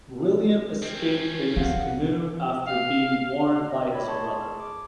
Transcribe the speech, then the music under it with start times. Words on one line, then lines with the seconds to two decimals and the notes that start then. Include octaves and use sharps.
William escaped in his canoe after being warned by his brother.
0.83 C4 C#4
1.56 F4 F5 F#5
2.65 F5
3.70 D#5
3.93 C#5 D5 B5
4.07 A3 G#4 A5 C6 C#6 G#6
4.60 D6